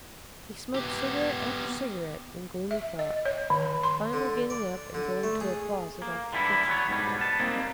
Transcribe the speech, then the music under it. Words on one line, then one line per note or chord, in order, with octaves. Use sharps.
He smoked cigarette after cigarette in gloomy thought, finally getting up and going to a closet off the kitchen.
B3 G4
E5
D#5
C#5
D#3
C6
D3
D5
D3
A3
G#4
A#3
D3 E3 G3 E4
F#3 B3 C#5
G#2 B2 G3
B3 A5
G3 A#3 C4 D#4